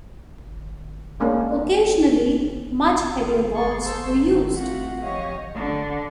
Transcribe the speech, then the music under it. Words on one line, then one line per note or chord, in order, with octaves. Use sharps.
Occasionally, much heavier balls were used.
G#3 A#3 C#4 D4
A#3 F4
G#4 C6 C#6 A6
G#4 A4 C5 C6 E6
G#2 D#3
G#3 A3 C4 F4 F#4 F#5
F3 G4 C#5 D#5 F5
D3